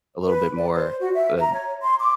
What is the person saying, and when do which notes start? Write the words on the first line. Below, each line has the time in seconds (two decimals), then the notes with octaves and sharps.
a little bit more, uh,
0.25 B4
0.56 D5
0.74 C5
1.00 F#4
1.14 E5
1.39 A#5
1.53 C#5
1.82 C6
2.00 D6